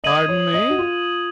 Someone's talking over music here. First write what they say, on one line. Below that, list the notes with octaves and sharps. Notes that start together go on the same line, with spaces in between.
"Pardon me!"
D#5 D#6 G#6 D#7 F#7
C#5
D#5
F#4
F4